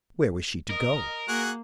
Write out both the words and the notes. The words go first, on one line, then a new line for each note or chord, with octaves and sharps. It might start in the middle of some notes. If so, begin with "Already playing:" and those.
Where was she to go?
A#4 D#5
A#3 F#4 G#4 F#5